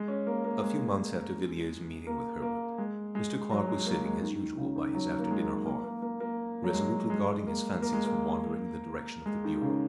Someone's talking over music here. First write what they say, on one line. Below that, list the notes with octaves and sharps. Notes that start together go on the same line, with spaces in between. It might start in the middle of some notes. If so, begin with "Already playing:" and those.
A few months after Villiers' meeting with Herbert, Mr. Clarke was sitting, as usual, by his after-dinner hearth, resolutely guarding his fancies from wandering in the direction of the bureau.
Already playing: G#3
C#4
A#3
A#3
G#3
A#3
A#3
G#3
G#3
F#3
G#3
A#3
G#3
D#3
C#3
D#3
F#3
A#3
G#3
A#3
A#3
A#3
A#3
F#3
G#3
G#3
A#3
A#3
G#3
A#3
G#3
D#3
C#3